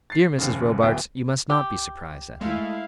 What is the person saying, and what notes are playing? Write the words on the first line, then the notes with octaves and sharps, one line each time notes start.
Dear Mrs. Robarts, you must not be surprised at him.
A6 C7
F1 D#2 C#3
D1 B3 E5 G5
G4
G#3 A3 E4 F5